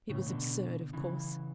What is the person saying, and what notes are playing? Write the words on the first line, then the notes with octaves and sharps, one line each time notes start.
It was absurd, of course.
A2 C#3
B2 D3
C#3 E3